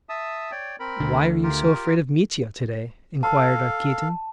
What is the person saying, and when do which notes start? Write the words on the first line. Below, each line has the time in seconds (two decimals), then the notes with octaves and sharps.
"Why are you so afraid of Mitya to-day?" inquired Rakitin.
0.09 E5 A5 D#6
0.51 C#5 D5 G5
0.80 C4 A#4 B5
1.00 D2 D3
1.43 F4 G4 A#4
3.23 A4 F5 A5